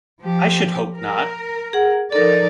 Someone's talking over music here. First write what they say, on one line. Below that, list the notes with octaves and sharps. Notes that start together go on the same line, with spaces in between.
I should hope not!
F3 G4
A#4
G#4 F#5
F3 D#4 A4 A#4 D5